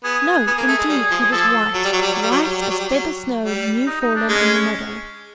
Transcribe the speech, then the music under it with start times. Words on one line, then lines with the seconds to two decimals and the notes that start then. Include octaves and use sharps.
No, indeed; he was white--white as feather-snow new fallen in the meadow.
0.04 B3 G#4
0.47 B3 G#4
0.58 A#3
0.68 A3
0.78 G#3
0.89 G3
1.11 F3
1.32 F3 A4
1.74 F#3
1.84 G3
1.93 F#3
2.03 G3
2.13 F#3
2.22 G3
2.31 F#3
2.42 G3
2.51 F#3
2.61 G3
2.71 F#3
2.79 G3
2.89 F#3
3.44 G3
3.87 D#4
4.01 D#4
4.16 D4
4.29 G#3 C#4